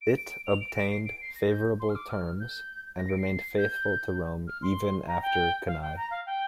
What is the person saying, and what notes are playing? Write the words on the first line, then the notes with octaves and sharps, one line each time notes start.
It obtained favourable terms, and remained faithful to Rome even after Cannae.
D7
D7
D7
F7
D7
D7
C7
D7
C7
A#6
G6
C6
F6
D6
F6
G6
A#6
D7
C7
G6
F6
C6
A#5
G5
F5
G5
A#5
F5
G5